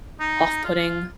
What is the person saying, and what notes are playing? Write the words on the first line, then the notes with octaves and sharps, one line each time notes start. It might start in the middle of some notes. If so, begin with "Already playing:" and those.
off putting.
D#4
F4